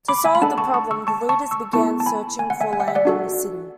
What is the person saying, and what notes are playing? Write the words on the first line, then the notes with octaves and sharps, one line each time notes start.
To solve the problem, the leaders began searching for land in the city.
B5 D6
E5 G#5
B5
D4 A4 F#5 A5
A5 C#6
A5 C#6
C#6 E6
A5 C#6
A5 C#6
C#6 E6
B3 E4 A4 A5 C#6
A5
G#5 B5
G#5
F#5
E5 G#5
G#5
F#5
E5
D5 F#5
D4 F#4 A4